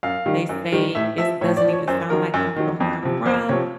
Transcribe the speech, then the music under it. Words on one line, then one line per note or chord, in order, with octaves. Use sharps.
They say it's doesn't even sound like I'm from where I'm from,
F#2 F5
D#3 G3
F#2
D#3 G3
A2 E5
F3 E5
A2 C#5
D5
F3
C#5
F#2 C5
D#3 F#3 A#4
F#2
D#3 F#3
F2
C3 F3
F2 C5
C3 F3 C#5